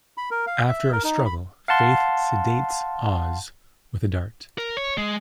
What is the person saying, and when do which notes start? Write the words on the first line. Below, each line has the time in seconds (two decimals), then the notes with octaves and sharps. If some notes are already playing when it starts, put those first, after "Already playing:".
After a struggle, Faith sedates Oz with a dart.
0.17 B5
0.31 A#4
0.47 F5
0.69 E5
0.92 A#4
1.04 D#4
1.26 B5
1.68 F5 F#5 A5 C6
4.58 A#4
4.77 C#5
4.98 G#3